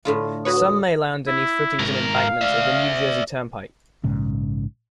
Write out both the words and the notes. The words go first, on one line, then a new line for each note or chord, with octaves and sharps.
Some may lie underneath footings and embankments of the New Jersey Turnpike.
A2 D3 F4
F#4 B4 C#5 D#6
E4
G#2 A#4
F5
D5 E5
A#1 G#2 C#3